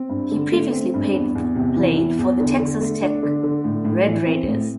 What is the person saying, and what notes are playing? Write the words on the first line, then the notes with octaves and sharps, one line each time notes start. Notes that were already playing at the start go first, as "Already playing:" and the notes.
He previously played for the Texas Tech Red Raiders.
Already playing: C4
G2
D3
A3
C4
G2
E2
E2
C3
E3
E2
E2
D3
D3
A3
D4
D3
D3
A2
A2
E3
C4
A2